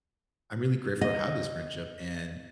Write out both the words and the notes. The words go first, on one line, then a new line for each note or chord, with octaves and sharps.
I'm really grateful to have this friendship, and
D#5